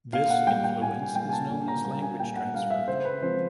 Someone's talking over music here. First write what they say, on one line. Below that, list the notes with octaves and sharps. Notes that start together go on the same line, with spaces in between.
This influence is known as "language transfer".
A#2 F5
F#5
G3 A#3 G5
G5
A#2 G#5
G3 A#3 G5
G#5
A5
A#2 A5
A#5
G3 A#3 A#5
G#5
A#2 G5
F#5
G3 A#3 F5
E5
C#3 C5
B4
F3 G#3 C4 C5